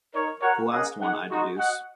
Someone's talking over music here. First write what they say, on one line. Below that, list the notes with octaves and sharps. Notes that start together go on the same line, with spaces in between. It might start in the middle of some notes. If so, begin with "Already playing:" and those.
The last one, I deduce.
D#4 A#4 C#5
F#4 A#4 C#5 F#5
A#3 C#4 G#4 D#5 F#5
D#4 G#4 F#5
G#3 D#4 F#4
F#4 D#5 F#5